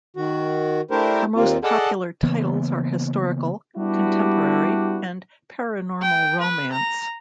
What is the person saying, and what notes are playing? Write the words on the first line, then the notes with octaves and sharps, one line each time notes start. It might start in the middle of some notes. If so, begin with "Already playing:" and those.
Her most popular titles are historical, contemporary, and paranormal romance.
D#3 F#4
A3 D4 E4 G4 A#4 C5
D#2 G3 A#3 C4 F4
G#4 A4 D5 D#5 F#5 A5
C#3 E3 A#3 B3
G3 B3 D4 E4 F#4 G4
G5
B4
A#5